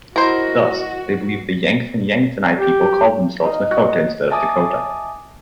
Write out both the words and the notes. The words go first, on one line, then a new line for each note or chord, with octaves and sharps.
Thus, they believed the Yankton-Yanktonai people called themselves Nakota instead of Dakota.
E4 F#4 A#4 C5 D#5
G4
D#4 D#5 F5
F#4
D#5 E5 G#5 A5 D6 D#6